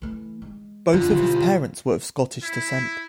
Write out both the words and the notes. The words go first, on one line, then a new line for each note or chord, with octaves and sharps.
Both of his parents were of Scottish descent.
E3 A3
G#3
F2 D3 F4
B2 D3 G3 E4
E4